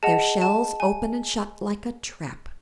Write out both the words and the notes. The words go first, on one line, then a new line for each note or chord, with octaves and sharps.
Their shells open and shut like a trap.
G#4 D#5 F#5 A5
A5
G#5